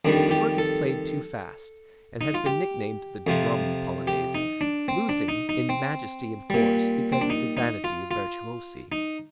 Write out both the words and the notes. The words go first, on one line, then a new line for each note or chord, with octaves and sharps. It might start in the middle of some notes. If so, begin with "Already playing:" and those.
Yet the work is played too fast, and has been nicknamed the "Drum" Polonaise, losing in majesty and force because of the vanity of virtuosi.
F2 D#3 G3 D4
G4
A4
D#4
F4
G4
F2 C3 F3
G4
D#4
D4
C4
D4
D#4
D#4
C4
A#2 G3
C4
D4
D#4
D#4
F4
F4
D#4